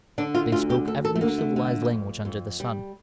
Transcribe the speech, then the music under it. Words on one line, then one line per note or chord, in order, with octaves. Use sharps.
They spoke every civilized language under the sun.
D3 D4
F4
D2 F4
G4
D2 A4
A4
A3
D3 A#3
A3
D3
F2
F2
G3